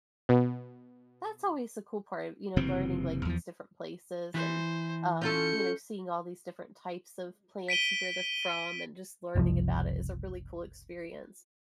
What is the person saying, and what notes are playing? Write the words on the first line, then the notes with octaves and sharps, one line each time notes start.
That's always the cool part, you know, learning, like, these different places, and um, you know, seeing all these different types of plants and where they're from, and just learning about it is a really cool experience.
B2
F#1 C3 E3 C4
E2 F3
E3 C5
C#4 F4 A4 G6 C#7
B6 D7 D#7 G7
F#1 C2 F3